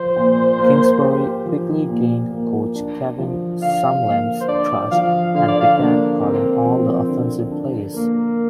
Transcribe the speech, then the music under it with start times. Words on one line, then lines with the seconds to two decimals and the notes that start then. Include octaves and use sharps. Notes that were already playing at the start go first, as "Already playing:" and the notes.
Kingsbury quickly gained Coach Kevin Sumlin's trust and began calling all the offensive plays.
Already playing: F3 C5
0.16 A#2
0.59 A#3
1.02 G4
1.46 F3
1.89 A#2
2.32 A#3
2.75 D4
3.18 F3
3.62 D3 F5
4.05 A#3
4.41 C5
4.49 D4 D5
4.91 F3 F5
5.35 D3 F5
5.48 D5
5.61 F5
5.78 A#3 D4
6.21 C4 A#4
6.65 F3
7.08 D3
7.52 D4
7.94 A#3 A#4